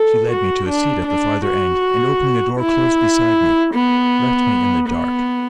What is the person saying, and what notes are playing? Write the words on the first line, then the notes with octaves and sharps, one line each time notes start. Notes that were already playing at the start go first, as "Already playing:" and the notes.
She led me to a seat at the farther end, and opening a door close beside me, left me in the dark.
Already playing: A4
F#4
D4
D4
F#4
E4
B3
B3